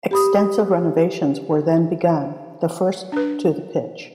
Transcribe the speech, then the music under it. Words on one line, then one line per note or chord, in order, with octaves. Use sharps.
Extensive renovations were then begun, the first to the pitch.
G4 B5 D#6
D4 B4